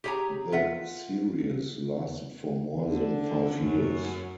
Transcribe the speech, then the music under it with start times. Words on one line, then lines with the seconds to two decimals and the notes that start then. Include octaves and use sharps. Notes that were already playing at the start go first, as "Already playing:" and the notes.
The series lasted for more than five years.
0.04 G4 G#4 C#5 A5 A#5
0.52 F4 E5 F#5
2.85 D3
3.61 F#2